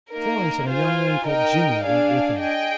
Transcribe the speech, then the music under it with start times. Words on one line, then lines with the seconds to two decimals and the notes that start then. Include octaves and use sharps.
And Florence and a young man called Jimmy went with him.
0.11 A#3 D#4 A#4
0.69 F4 C5 F5 G#5
1.26 D#4 A#4 D#5 G5
1.84 D4 G#4 D5 F5
2.40 G#4 D#5 G5